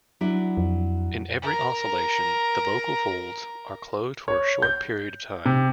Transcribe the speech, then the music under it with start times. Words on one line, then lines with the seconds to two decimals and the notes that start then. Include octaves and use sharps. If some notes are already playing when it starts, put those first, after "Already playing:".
In every oscillation, the vocal folds are closed for a short period of time.
0.21 F#3 D4 E4
0.57 F2
1.42 A#4 A#5
4.28 C#5
4.62 G6
5.45 C3